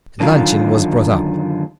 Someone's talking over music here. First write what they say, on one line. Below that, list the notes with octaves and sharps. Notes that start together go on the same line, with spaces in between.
Luncheon was brought up.
F#2 D3 D#3 F4